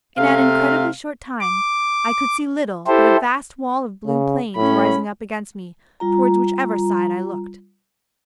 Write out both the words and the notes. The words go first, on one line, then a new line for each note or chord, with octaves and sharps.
In an incredibly short time, I could see little but a vast wall of blue plains rising up against me, towards whichever side I looked.
C3 A3 F5
D6
E4 G4 A4 C5
C#3
A2 C#4 B5
G3 F4 A#5